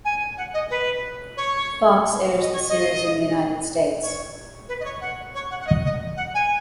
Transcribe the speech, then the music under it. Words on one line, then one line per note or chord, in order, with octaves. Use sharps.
Fox airs the series in the United States.
G#5
F#5
D#5
B4
C#5
D#5
C#5
D#5
C#5
B4
D#5
C#5
F#5
C#5
F#5
F#5
D#5
D#5
F#5
G#5